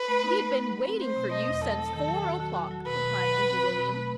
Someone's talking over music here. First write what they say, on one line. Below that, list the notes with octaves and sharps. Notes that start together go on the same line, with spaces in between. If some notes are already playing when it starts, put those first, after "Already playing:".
"We had been waiting for you since four o'clock," replied Uncle William.
Already playing: B4
A3
D#4
A3
A3
F#3
C4
A3 C5
B2
A3 D#5
E2
F#3 A4
F#3
D#3
F#3
F#4
F#4
F#4
F#3
B2 B4
B2
F#3
F#3
C4
B2
B2
A3